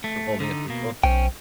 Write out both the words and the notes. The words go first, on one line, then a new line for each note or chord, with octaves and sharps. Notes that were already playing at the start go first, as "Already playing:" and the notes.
For holding up your phone.
A3
D3 D#4
B2 A#3
B1 C#4 C5 G5